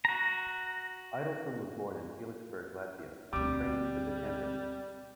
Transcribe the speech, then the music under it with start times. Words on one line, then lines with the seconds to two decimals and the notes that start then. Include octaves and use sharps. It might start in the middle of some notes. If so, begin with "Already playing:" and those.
Idelsohn was born in Feliksberg, Latvia and trained as a cantor.
0.05 F#4 A#5
3.33 D2 B2 G3 C4 D6